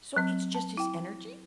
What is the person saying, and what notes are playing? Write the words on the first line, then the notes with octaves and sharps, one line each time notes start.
So it's just his energy?
F#3 C4
A5
E4 G5